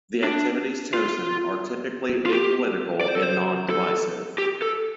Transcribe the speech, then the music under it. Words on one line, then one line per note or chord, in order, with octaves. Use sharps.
The activities chosen are typically apolitical and non-divisive.
D4
F4
F4
G4
D5
C5
A4
C5
A4
G4
A4